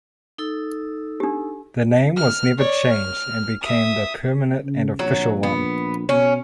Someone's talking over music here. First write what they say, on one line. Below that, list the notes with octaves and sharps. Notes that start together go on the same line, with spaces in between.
The name was never changed, and became the permanent and official one.
D#4 A4 E6
D4 G4
F6
C#5 D5
F6
E5 D#6
C#3
A#1 F#3
B3
B2 C#4